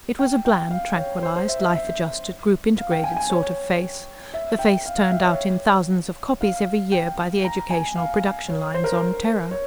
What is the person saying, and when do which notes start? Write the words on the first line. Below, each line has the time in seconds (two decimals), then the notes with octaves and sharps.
It was a bland, tranquilized, life-adjusted, group-integrated sort of face--the face turned out in thousands of copies every year by the educational production lines on Terra.
0.19 G5
0.45 G5
0.71 F5
0.96 C#5
1.23 C5
1.36 C5
1.48 E5
1.61 E5
1.74 E5
2.78 F5
2.91 G5
3.04 G#5
3.17 G#5
3.30 C#5
4.34 E5
4.59 G5
4.86 F5
4.98 F5
5.11 E5
5.24 C#5
6.41 F5
6.92 G5
7.45 A#5
7.70 G#5
7.96 F5
8.48 C#5
8.74 C5
8.84 A#4
8.93 C5
9.51 C#5